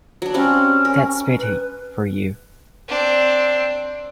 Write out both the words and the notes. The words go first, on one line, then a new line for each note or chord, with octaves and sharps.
That's Betty for you.
F#3 D4
G3 C4 C#4 F5
A#4
B4
C4 D4